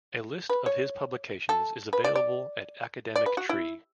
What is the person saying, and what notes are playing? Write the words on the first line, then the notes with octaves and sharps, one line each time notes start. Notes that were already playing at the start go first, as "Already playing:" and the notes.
A list of his publications is available at Academic Tree.
B4
C#5
A4
B4
D5
D5
D5
B4
F#4
E4